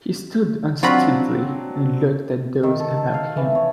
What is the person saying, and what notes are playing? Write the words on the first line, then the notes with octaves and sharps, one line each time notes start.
He stood unsteadily and looked at those about him.
F#3 C4 D4 F4 F#4 B5
D#3
A4
A4
F5
E3
C#5